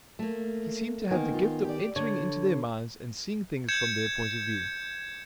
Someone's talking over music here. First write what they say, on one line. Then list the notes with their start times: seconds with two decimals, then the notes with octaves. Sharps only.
He seemed to have the gift of entering into their minds and seeing things from their point of view.
0.19 A3 A#3
1.11 D#3 A#3 B3 G#5
1.34 F4
1.64 G4 D5
1.96 D3 C#5
3.69 G6 G#6 C#7 E7